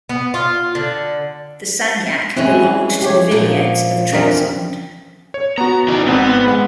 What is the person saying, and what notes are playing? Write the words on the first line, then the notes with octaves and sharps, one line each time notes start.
The sanjak belonged to the vilayet of Trebizond.
B3
F4
D3
E3 G#3 C4 C#4 E4
G4 C#5
A#2 F3 A#3
E2 C4 D4 A#4
C#5
B3 F#4 A#5
E3 D4 D#4
G#1 B3 C4 B4
G#3 F#5